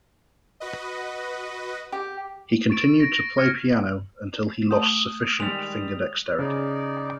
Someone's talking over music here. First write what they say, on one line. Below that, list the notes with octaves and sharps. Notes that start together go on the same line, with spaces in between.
He continued to play piano until he lost sufficient finger dexterity.
F#4 B4 D#5
G4
C#6 A6 D7
A#6
A#6
F6 G#6 C#7 D#7
A3 A5 D#6
D#3 G3 G#3 F7
C#3 D#4 D5